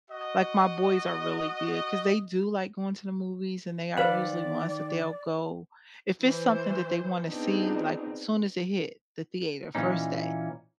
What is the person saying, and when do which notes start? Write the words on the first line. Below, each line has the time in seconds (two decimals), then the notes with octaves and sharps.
Like, my boys are really good 'cause they do like going to the movies and they are usually ones that they'll go. If it's something that they want to see like soon as it hit the theater, first day,
0.10 F#4 D#5
3.97 D#3 B4 C5 D5 F5 B5
6.21 E3 C5
7.25 B3 C4 D4 D#4 F4 G#4
9.75 A#2 E3 A#3 C#4 D#4